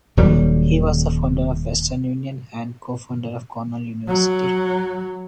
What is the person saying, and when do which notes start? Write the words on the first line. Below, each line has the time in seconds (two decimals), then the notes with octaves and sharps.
He was the founder of Western Union and a co-founder of Cornell University.
0.17 D#1 F#3 G3
4.08 F#3